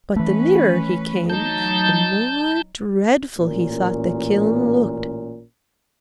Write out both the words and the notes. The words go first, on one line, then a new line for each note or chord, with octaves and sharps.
But the nearer he came the more dreadful he thought the kiln looked.
E3 A3 C#4 B4
F#3 D#4 A5 G6
A1 A#2 C#4 A#4